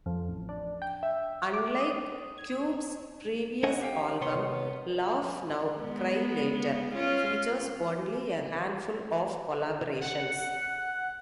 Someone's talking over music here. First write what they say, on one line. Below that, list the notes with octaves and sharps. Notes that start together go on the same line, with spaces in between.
Unlike Cube's previous album, "Laugh Now Cry Later" features only a handful of collaborations.
F2
A1
D4
G5
E5
D6
D#6
G#6
C#4 D4 A4 D#5 F#5 G#5
G4 F5 G5
C3 B3 C#5 C6
G#3 B3
C#4 F4
F#5